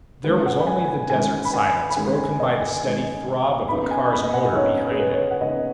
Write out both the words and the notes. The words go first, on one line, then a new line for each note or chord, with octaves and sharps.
There was only the desert silence, broken by the steady throb of the car's motor behind him.
D#3 G#3 C#4 B4
F#5
B5
G#5
G#5
D#3 G#3 C#4 G#5
B5
G#5
B5
D#3 G#3 C#4 G#5
G#5
D#5
G#5
D#3 G#3 C#4
C#3 B3 D#4 B5
G#5
B5
D#5
F#5
D#5
C#3 B3 D#4 C#5
B4
G#4
B4
C#5
F#5
C#3 B3 D#4 D#5